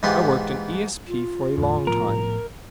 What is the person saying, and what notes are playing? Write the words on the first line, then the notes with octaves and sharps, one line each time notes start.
I worked in ESP for a long time.
G#2 E3 B3 F4 G4
F4
E2 A2
A2 F3 B3 A#4